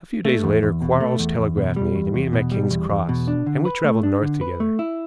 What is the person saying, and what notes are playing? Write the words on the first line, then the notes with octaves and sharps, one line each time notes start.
A few days later Quarles telegraphed me to meet him at Kings Cross, and we traveled North together.
A3
E2
E2
B2
A3
E2
E2
B2
G3
E2
E2
B2
G3
E2
E2
B2
D4
D3
B4
A3
D4
D3
B4
A3
E4